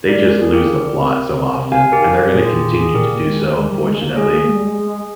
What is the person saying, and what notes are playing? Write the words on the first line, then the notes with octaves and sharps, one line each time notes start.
they just lose the plot so often, and they're gonna continue to do so unfortunately,
A#4 D5
G#3
A#4
G#4
A#3 G4 A#4
D3
D3
C3
F5 G#5
D#3 G4 A#4
D3 G4 A#4
C3
A#2 G#4
F4
G4
G#4
A#2 G4 A#4
G#3
G#3
G3
G#3
A#3
G#3 G#4
A#3
G#3
G3
G#3
G#3